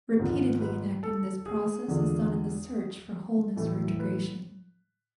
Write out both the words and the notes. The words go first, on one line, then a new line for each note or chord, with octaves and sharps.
Repeatedly enacting this process is done in the search for wholeness or integration.
G#1 G#2 F3 B3 F4
B4
A4
G#4
E2 D3 G#3 D4 F4
A2 E3 A3 E4 A4
B4